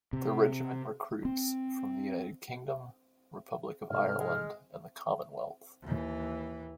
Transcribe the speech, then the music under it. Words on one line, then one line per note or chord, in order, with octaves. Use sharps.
The Regiment recruits from the United Kingdom, Republic of Ireland and the Commonwealth.
C3
C4
G#2 C3 A4 F6
G#3
D#2 E3